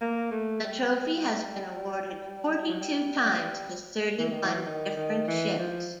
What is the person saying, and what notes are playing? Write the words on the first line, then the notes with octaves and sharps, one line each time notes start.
The trophy has been awarded forty-two times to thirty-one different ships.
A#3
A3
G3
F#3
G3
G3
E3
D#3
E3
D#3
D#3
E3
F3